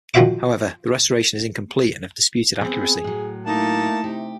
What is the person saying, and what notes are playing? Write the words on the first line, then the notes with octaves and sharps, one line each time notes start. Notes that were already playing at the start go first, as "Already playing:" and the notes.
However, the restoration is incomplete and of disputed accuracy.
D#3 F3 F#4 C5 E5 D6
B3 C4 G#4
A2 F#3
A3 A#3 D#4 E4 A5
C3 G4